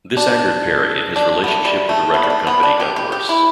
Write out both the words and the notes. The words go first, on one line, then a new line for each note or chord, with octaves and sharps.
This angered Perry and his relationship with the record company got worse.
D4
D4
B3
A3
G3
A3
B3
G3
A3
B3
D4
G4
G4
G4
E4